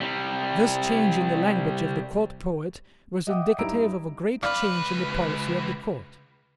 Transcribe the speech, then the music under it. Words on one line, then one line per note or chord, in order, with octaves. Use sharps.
This change in the language of the court poet was indicative of a great change in the policy of the court.
C3 G3
D#5 E5 F#5 G5 D6 D#6
G2 D#4 E4 A#5 E6 D7
C#2 B4 D5 F5